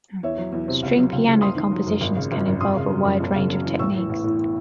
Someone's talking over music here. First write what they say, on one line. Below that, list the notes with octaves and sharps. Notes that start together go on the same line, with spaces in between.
String piano compositions can involve a wide range of techniques.
E2 C#5 E5
F#3
E2
C3
C#2
F#3
C#2
C#3
F#1 C6 D#6
D#3
F#3
F#2
G#1
C#3
G#1
F#2
G#1 C6 D#6
C#3
F#3
F#2
E1
C#3
F#3
E2
A1 C#6 E6
E3
A1
A2